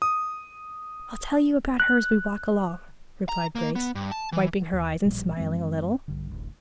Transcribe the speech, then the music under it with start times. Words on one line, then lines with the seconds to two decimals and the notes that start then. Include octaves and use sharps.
"I'll tell you about her as we walk along," replied Grace, wiping her eyes and smiling a little.
0.02 D#6
1.80 F#6
3.29 A#5
3.55 A#3
3.76 B3
3.95 G2
4.12 A5
4.33 E3
4.73 D#2
5.05 A1 A#2 F3 G3
5.37 F#2 F3 G#3 C4
6.08 A#1 G2 D3
6.31 D1 A1 D2